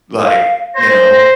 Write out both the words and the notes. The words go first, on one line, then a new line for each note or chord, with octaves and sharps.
like, you know,
F5
C5 A#6